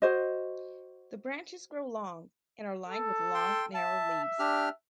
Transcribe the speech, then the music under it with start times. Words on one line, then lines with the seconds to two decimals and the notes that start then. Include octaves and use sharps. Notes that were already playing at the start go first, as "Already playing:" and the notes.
The branches grow long and are lined with long, narrow leaves.
0.02 F#4 C5 D#5
2.88 A4
3.34 G5 C6
3.74 E5 A5
4.39 D4 G4 F6